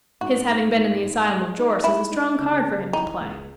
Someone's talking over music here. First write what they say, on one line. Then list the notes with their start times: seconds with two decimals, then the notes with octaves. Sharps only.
His having been in the asylum of Jorce is a strong card for him to play.
0.21 G#2 F#4
0.49 G#2
0.76 G#2
1.03 G#2
1.30 G#3
1.58 D#4
1.84 G#3 E4
2.12 D#4
2.39 C#3
2.66 C#3
2.93 E3 D#4
3.20 C#2